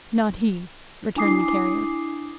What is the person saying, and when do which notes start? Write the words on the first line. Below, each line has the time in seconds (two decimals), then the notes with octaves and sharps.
"Not he," returned the Carrier.
1.16 D4 E4 G#5 D6 D#6 C7